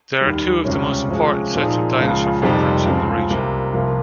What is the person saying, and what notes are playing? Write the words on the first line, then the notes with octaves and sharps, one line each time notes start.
There are two of the most important sets of dinosaur footprints in the region.
D#2 D#3 G3
C#2 C3 G3 C#4
C3 F3 G#3 C#4 G#4
A#2 F3 C4 D#4 G#4
C#2 C#3 F3
F2 C3 D#3 G3
C#2 C#3 F3 C4
C2 C3 G3 A#3
C2 C3 F3 A#3 F4